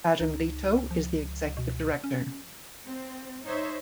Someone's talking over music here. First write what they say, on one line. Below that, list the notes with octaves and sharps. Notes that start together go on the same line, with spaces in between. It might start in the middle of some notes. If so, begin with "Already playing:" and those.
Adam Leto is the executive director.
C#2 D#4
F3
B2
C#4
C4
D#4 C5 C#5 E5